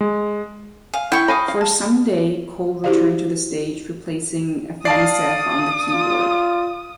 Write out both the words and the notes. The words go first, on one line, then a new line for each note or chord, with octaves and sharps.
For "Someday", Cole returned to the stage, replacing Afanasieff on the keyboard.
G#3
F5 G#5
E4 G5 C#6
F5 G#5 B5 D#6 A#6
F5
A5
E4 F#4 G4 C5 D5 F5
D5 F5 A5 D#6 C7
F4